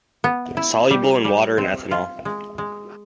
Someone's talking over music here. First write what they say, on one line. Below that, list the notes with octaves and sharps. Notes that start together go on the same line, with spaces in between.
Soluble in water and ethanol.
B3
E4
G3
G3
C4
F4
G#3
G#3